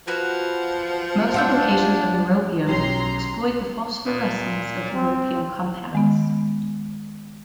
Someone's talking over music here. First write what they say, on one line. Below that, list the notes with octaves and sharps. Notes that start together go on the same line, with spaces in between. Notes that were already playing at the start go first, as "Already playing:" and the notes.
Most applications of europium exploit the phosphorescence of europium compounds.
F3 F#4 B4 G#5
D4 F4 F#5 E6 G6
B1 F#3 C#4 G4 A#5 C6
A#2
C4
D#3 G#3 B3